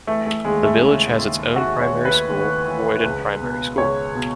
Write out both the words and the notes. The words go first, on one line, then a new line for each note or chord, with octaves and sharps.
The village has its own primary school, Roydon Primary School.
E3 A3
A3
D#2 G#3
A3
C#3 E4
D#2
D#2 F#4
C#5
D#2
B4
D#2
E3
C#2
B2
C#2 C#5
B2